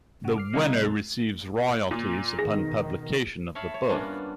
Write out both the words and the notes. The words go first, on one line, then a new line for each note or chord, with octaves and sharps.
The winner receives royalties upon publication of the book.
G2 C#3 F#5
D6 F6 C7
C3 G3 A#3 D#4 E4
D#5
D#2 A4
A#2
B2 D#3 G#4 A#6
C#5 E5 F5 A5 B5
C#5
G2 A#3 B3 C#4 D4 F4